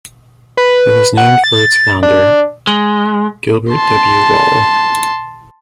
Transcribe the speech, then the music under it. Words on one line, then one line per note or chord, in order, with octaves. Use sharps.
It was named for its founder Gilbert W. Wall.
B4
F#5
A6
D4
G#3
A5 C6